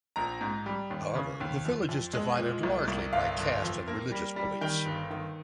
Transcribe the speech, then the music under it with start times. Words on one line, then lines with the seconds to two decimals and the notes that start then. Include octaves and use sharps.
However, the village is divided largely by caste and religious beliefs.
0.16 A#1 A#5
0.41 G#2
0.66 G3
0.90 D#2
1.15 C#3
1.40 D#2
1.65 F2
1.89 F2
2.13 G#3
2.38 A#2
2.63 C2
2.88 C2
3.13 G1 F5
3.38 G1
3.62 F2
3.88 A#3
4.12 G3
4.36 G3
4.61 D#3 G5
4.85 G1
5.10 D#3